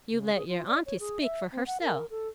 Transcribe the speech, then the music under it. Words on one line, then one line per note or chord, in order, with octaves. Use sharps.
You let your aunty speak for herself.
C#3
G#4
F4
D5
C#5
G#4
E5
C4
F#5
A#4
A4